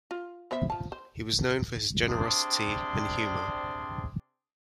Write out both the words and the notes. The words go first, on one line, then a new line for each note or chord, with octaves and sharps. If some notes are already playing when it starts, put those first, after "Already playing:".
He was known for his generosity and humor.
F4
B3 C5 E5
F3 A5
C5
C3 C4 D4 G#4 D5 C6